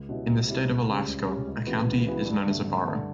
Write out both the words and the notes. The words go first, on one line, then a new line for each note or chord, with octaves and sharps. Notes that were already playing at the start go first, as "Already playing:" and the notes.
In the state of Alaska, a county is known as a borough.
Already playing: C#2
B2 G3 C#4 E4
C#2
B2 G3 C#4 E4
C#2
C#3 G3 C#4
C#2
C#3 G3 C#4
C#2
C#3 E3 B3 F#4
C#2
C#3 E3 B3 F#4
G2
D3 A3
G2
D3 A3